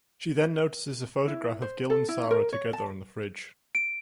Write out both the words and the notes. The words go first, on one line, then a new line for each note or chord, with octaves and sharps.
She then notices a photograph of Gil and Sara together on the fridge.
E4
C5
A4
E4
A#4
C#5
A5
D7